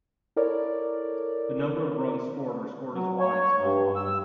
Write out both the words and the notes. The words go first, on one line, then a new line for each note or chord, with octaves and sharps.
The number of runs scored are scored as wides, not byes.
E4 A4 A#4 C#5 D5
F#3
C#5
G2
E6